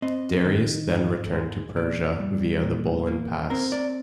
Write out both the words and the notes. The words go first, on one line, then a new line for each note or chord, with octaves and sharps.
Darius then returned to Persia via the Bolan Pass.
C4 D#5
D#3
G#2
G#3
A#2 D5
G3
A#2
A#3
C4 A#4
D5